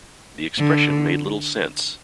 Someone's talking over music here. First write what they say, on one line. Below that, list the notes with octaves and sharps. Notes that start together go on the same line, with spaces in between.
The expression made little sense.
D3